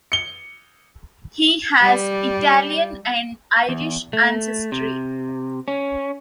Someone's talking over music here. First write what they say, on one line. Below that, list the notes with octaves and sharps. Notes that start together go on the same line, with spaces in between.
He has Italian and Irish ancestry.
C#7 G7
G3
E2
A3
C3
C#4